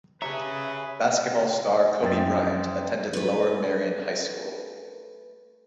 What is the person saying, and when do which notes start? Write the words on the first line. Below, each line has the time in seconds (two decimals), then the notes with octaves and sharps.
Basketball star Kobe Bryant attended Lower Merion High School.
0.22 G4 G#4 B4 C#5 E5 A5 A#5
2.02 F#2 E5 G5 A6
3.13 A3 B4